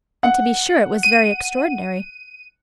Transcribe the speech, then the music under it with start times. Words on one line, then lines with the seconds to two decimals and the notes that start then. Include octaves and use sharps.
And to be sure it was very extraordinary.
0.23 F#5
1.03 D#7